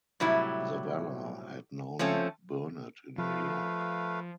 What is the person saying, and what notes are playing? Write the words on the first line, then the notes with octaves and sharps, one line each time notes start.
Zavala had known Burnet in New York.
A2 C3 F#3 G3 E4
F3 A3 C4 C#4 A4
F3 A3 B4 F5